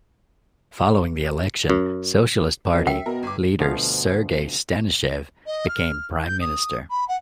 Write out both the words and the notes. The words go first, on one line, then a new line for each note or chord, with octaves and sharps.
Following the election, Socialist Party leader Sergei Stanishev became Prime Minister.
F#2
F2
F#2 E5 G5
B2 A#4
G1 D6
D2 B2 F3 F5
D#5
F6
G6
D#6
B5
F#5